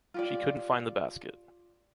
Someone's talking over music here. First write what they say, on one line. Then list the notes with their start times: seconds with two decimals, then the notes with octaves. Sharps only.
She couldn’t find the basket.
0.14 F4 G4 D5